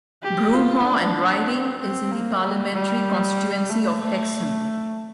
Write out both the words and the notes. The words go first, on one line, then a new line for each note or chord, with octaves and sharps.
Broomhaugh and Riding is in the parliamentary constituency of Hexham.
G4
F4
D4
C4
C4
A#3
G3
G3
A3
A3